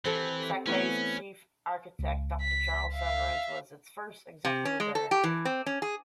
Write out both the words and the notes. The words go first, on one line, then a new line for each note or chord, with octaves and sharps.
Sakai's chief architect, Doctor Charles Severance, was its first Executive Director.
E3 C4 G4 A4
E3 A3 B3 C#4
C#2
B6
E5 F5
C3
C#4
G#3
A4
G4
E3
C4
C#4
G#4